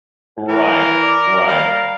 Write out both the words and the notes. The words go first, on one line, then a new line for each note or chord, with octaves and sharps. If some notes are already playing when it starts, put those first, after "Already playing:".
Right, right.
E3 A#4
D5
G3 F5